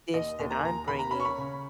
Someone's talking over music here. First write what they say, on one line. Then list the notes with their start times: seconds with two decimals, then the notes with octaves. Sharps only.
dish that I'm bringing."
0.14 D#2 D#5
0.39 D#2
0.51 A#5
0.58 G#5
0.63 D#2 A#5
0.88 D#2 B5
0.99 A#5
1.11 C#4 B5
1.20 C#6
1.25 B5
1.38 C#3